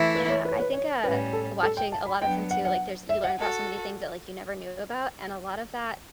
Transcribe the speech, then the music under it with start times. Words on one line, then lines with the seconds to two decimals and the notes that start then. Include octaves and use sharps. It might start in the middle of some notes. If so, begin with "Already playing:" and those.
Yeah, I think, uh, watching a lot of them too, like, there's you learn about so many things that, like, you never knew about, and a lot of that
Already playing: E3 A3 E4
0.15 B4
0.29 C#5
0.45 B4
0.51 C#5
0.60 B4
0.74 C#5
1.03 A2 G3 C#4 B4
1.33 A4
1.63 A4
1.77 G5
1.92 A5
2.06 B5
2.21 F#3 B3 D4 G5
2.51 F#5
2.65 F#5
3.09 E5
3.24 F#5
3.39 F#4 A4